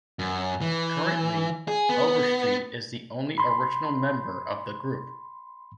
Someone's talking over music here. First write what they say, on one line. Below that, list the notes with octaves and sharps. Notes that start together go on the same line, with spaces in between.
Currently, Overstreet is the only original member of the group.
F#2
E3
G#4
B3
B5 C6